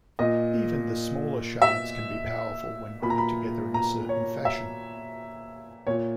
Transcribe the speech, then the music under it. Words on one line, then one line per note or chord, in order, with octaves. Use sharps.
Even the smaller shards can be powerful when grouped together in a certain fashion.
A#2 D#5
E5
A#2 B5
A#5
B5
A#5
C#5
E5
A#2 C#5